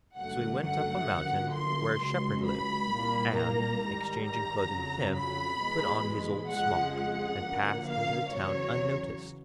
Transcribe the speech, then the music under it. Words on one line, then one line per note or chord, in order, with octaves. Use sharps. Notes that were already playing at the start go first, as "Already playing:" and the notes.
So he went up a mountain, where a Shepherd lived, and, exchanging clothing with him, put on his old smock, and passed into the town unnoticed.
G1 F#2 D3 F#3 A3 F#5
F#5
F#2 D3 F3 A#3
C6
C#2 C#3 F#3
B5
C2 A#2 G3 A#3
A#5
G#2 D#3 G3
A#5
F2 C#3 F#3
B5
E2 B2 G#3
F2 C#3 F3 G#3 F#5
F#5
F#2 D3 F3 A#3
F5
E2 C#3 F#3 C#5